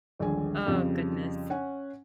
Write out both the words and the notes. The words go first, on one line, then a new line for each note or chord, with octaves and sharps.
Oh, goodness.
D#1 A#1 D3 G#3 G#5
F2 C#3 F3 G3
C#4 F#5 G#5